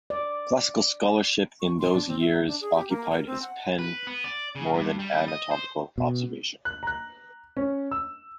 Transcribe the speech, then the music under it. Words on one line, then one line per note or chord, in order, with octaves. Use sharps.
Classical scholarship in those years occupied his pen more than anatomical observation.
D5
C#6
C6
D4
C4
E5
D4
G#4
G4
A#3
A#4
C4
F#5
B4
B3
D5
C#3
G2
G3
D#5
C5
B2
F#6
A#5 F#6
C#4
E6